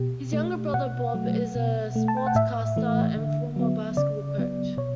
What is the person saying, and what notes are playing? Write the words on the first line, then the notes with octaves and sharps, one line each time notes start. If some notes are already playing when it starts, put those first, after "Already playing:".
His younger brother, Bob, is a sportscaster and former basketball coach.
Already playing: B2 G4
A3
B2 F#5
F#3 A3
B2
A3
A5
G5
F#5
A2 E5
E3 A3
D3
F#3 B3
C#3 D5
F#3 B3
B2 C#5